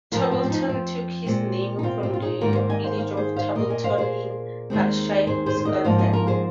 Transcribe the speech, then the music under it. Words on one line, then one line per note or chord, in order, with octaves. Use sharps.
Torbolton took its name from the village of Tarbolton in Ayrshire, Scotland.
F2 F3 C4 F4 A#4
C4
C4
D#4
C4
A#2 G#3 C4
D#4
C4 F4
C4 F4
F4
D#4 G#4
G#2 D#3 A#3 F4 A#4
C5 F5
D#5 G#5
C5 F5
C5 F5
G#4 C5
C5 F5
A#2 A#3 A#4 D#5
D#5 G#5
C5 F5
G#4 C5
D#2 D#3 G#3 C4
G#4 C5
G#4 C5
C5
A#4 D#5
G#2 F3 A#3 C5 F5
D#5 G#5
F4 A#4
G#4 C5